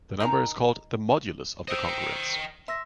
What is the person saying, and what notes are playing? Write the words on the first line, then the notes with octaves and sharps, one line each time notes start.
The number is called the "modulus" of the congruence.
D#4 G#4 A#4
C5 D#5 G5 D#6 E6
E5 C6 E6 A#6